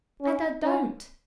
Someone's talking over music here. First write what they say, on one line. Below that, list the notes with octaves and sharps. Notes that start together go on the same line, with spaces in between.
And I don't.
C#4
C#4